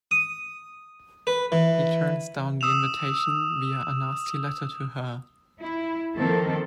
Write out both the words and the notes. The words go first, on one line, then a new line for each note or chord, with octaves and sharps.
He turns down the invitation via a nasty letter to her.
D#6
B4
E3
D#6 E6 E7 F7
E4
D#3 F3 A#3 C4 A4